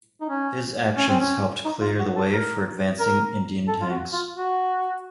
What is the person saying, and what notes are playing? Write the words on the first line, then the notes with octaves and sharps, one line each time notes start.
His actions helped clear the way for advancing Indian tanks.
D#4
C#4
C#4
C4
C#4
D#4
F4
F#4
A4
A#4
A#4
A4
F4
F#4
F4
F#4